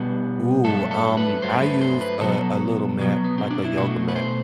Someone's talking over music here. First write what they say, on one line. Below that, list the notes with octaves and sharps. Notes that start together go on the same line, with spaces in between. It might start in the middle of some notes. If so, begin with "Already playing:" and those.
Ooh, um, I use a a little mat, like a yoga mat.
Already playing: B2 G3 B3 B4
G2 F#3 A3 A4
A4
B4
G2 F#3 A3 C5
B4
C5
B4
B2 F#3 B3 A4
B2 F#3 B3
B3
C4
D4
E4
B2 A3 F#4
B4
C5